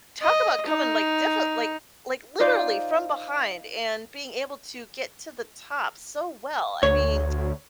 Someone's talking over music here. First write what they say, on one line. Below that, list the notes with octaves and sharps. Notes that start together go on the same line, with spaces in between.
talk about coming like, different like like, literally from behind and being able to get to the top so well, I mean,
D#5
D#4
D#4 F4 C5 D5
D2 C#5